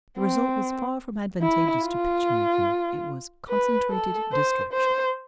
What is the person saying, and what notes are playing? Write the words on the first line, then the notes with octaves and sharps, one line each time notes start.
The result was far from advantageous to picture making; it was concentrated distraction.
C4
E4
F4
B4
A4
C5
C5